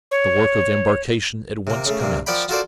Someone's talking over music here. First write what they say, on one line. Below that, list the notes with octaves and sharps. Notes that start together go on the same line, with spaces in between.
The work of embarkation at once commenced.
C#5
C3 A#3
C#3 A3
G2 C3 A#3
F3 A#4 D5 F#5 G5 B5
F4 F#4 A4 A#4 C5 D5